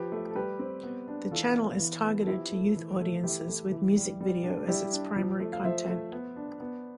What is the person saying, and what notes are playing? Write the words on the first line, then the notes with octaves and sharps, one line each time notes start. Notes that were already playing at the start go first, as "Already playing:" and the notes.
The channel is targeted to youth audiences with music video as its primary content.
Already playing: F3 G4 B4
A3
A4
G3 G4 B4
C4
B3
D4
E3 F4 A4
B3
E3
B3
A4
F3 E4 G4
A3
E3
A3
E3 E4 G4
A3
E3
G3
G3
D4
G3 E4 G4
D4
F3
A3
F5
F3 C5 E5
A3
B3
D4
B3